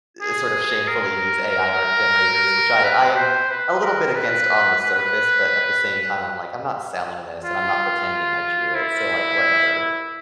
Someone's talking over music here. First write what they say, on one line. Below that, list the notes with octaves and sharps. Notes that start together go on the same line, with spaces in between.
eh, sort of shamefully use AI art generators, which I I am a little bit against on the surface, but at the same time, I'm like, I'm not selling this and I'm not pretending I drew it. So, like, whatever.
G#4
A#4
B4
C5
B4
A#4
B4
B4
F4
E4